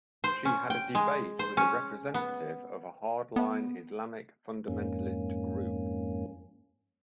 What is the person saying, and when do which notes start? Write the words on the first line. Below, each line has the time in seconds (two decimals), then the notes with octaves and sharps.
She had a debate with a representative of a hard line Islamic fundamentalist group.
0.24 C5
0.45 C#4
0.70 G5
0.95 G#3
1.39 C5
1.57 C#4
2.14 B3
3.36 B3
4.68 F2 G#2 A#3 C#4